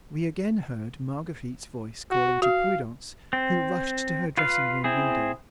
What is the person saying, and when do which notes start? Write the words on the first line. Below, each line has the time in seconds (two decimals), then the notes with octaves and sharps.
We again heard Marguerite's voice calling to Prudence, who rushed to her dressing-room window.
2.11 F#4
2.42 F#4 F5
3.33 C4
4.37 F4 B4 F5
4.84 C4 E4 G#4